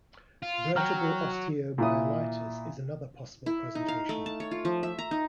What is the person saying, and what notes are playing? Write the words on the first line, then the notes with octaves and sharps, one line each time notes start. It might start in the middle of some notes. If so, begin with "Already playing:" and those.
Vertebral osteomyelitis is another possible presentation.
F4
F#3 G5 A#5 F6
A#2 E4 D#6
E4
D#4
F5
A3
A5
C#5
F4
F3
E5
A#5
D#4